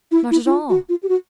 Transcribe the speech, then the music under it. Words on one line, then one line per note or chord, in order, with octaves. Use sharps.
Not at all.
E4
E4
E4
F4
F#4
F4
G4
F#4